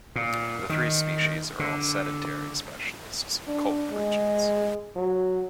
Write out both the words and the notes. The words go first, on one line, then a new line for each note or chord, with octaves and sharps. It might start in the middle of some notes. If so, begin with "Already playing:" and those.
The three species are all sedentary specialists of cold regions.
A#2
D#3
D3
D4
G#3
F#3